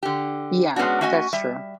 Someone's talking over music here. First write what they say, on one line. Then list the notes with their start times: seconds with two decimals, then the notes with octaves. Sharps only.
Yeah, that's true.
0.03 D3 G4
0.76 G#3 B3 C#4 D4 F#4
1.01 A3 C#4 F#4 D#5 G#5
1.33 G3 E5